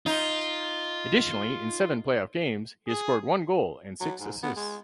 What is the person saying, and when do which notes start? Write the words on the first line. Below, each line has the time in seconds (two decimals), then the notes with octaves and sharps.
Additionally, in seven playoff games, he scored one goal and six assists.
0.06 D#4 F4
2.88 G#4
4.00 F#3
4.20 G#2
4.43 B3
4.56 G#3